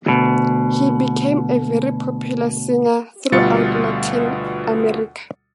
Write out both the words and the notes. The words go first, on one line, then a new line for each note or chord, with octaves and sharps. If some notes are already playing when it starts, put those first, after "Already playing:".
He became a very popular singer throughout Latin America.
D2 B2
D2 B2 G3 F4 A6 C#7